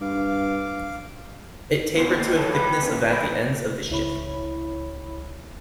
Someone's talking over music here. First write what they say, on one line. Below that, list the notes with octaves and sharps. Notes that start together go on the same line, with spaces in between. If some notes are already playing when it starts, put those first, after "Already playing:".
It tapered to a thickness of at the ends of the ship.
G2 F5 D6
E2 B2 C5
D#3 A#3
E3 F3 A4 C#5
B4 F5 B5
D2 C#4
F2 A#2 A#4 B4
C#2 E4 C#5 B5